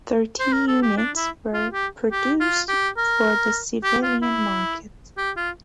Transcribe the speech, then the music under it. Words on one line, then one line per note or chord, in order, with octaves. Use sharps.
Thirty units were produced for the civilian market.
C5
A#4
A4
G4
D4
E4
F4
G4
G4
F4
G4
A#4
G4
F4
E4
G4
F4